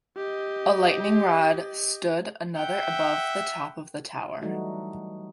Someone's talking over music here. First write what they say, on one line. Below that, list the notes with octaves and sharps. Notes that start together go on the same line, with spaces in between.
A lightning rod stood another above the top of the tower.
G4 D#5
E5 F#5 G5
E3 F#3 G3 A3 D#4 F#4